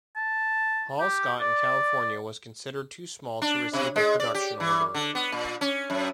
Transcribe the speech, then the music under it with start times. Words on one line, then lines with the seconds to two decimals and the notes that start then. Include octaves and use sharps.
Hall-Scott in California was considered too small to receive a production order.
0.16 A5
1.00 G4
1.40 D5
3.42 D4
3.73 C3
3.96 G#3
4.20 D5
4.34 G4
4.60 E3
4.94 D3
5.15 B3
5.32 A#2
5.61 C#4
5.90 F#2